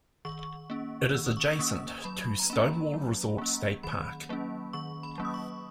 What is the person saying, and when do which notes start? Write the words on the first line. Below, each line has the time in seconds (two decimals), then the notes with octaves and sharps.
It is adjacent to Stonewall Resort State Park.
0.25 D#3 C#6
0.70 A#3 C#4
1.14 D#3 E6
1.26 D#6
1.37 C#6
1.48 D#6
1.59 A#3 C#4 D#6
2.04 F#3 B5
2.40 A#5
2.50 A#3 C#4 B5
2.94 F#3
3.38 A#3 C#4
3.83 D#3 B5
4.29 F#3 A#3 C#4
4.73 D#3 C#6
5.03 B5
5.18 F#3 A#3 C#4
5.25 D#6
5.34 C#6